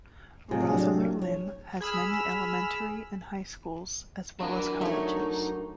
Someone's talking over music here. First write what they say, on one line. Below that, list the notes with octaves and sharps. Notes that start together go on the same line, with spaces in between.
Roseller Lim has many elementary and high schools, as well as colleges.
A2 C3 F4 G#4
F#3 D4
C#5
G#4 B5 E6 F6
F#3 D4 E4 A#4 G#5
A3 D#4 C#5